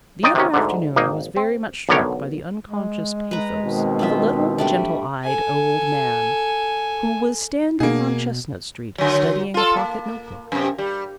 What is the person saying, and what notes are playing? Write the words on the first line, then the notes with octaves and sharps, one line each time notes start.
The other afternoon I was very much struck by the unconscious pathos of a little, gentle-eyed old man who was standing on Chestnut Street studying a pocket notebook.
G#3 D#4 D5 D#5 G5
C3 D#3 C#4
D2 G#2 D3
G#1 A#3 D#4
C4
B1 D3 B3 A#4 C#5 G5
G#3
B4 A#5
B2 D#3 C4
D4 F4 E5
G3 A3 D4
A4 G#5
B2 A#3 G#4
D3 F#3
F4 A4
A#3
F#2 C3
G3